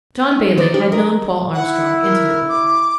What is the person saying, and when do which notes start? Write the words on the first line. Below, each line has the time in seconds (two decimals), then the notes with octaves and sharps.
John Bailey had known Paul Armstrong intimately.
0.31 D#4
0.57 D#3 D#4 C5 D5 A6
0.74 F3 D4 G4
0.92 A#4 D#5
1.54 E4 F#5
2.02 A#4
2.49 D6